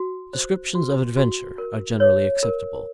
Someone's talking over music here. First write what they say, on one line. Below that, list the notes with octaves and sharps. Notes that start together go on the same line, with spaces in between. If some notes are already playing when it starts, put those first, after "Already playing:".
Descriptions of adventure are generally acceptable.
Already playing: F#4
C5
F#4
F#4
A#4
C#5
A#4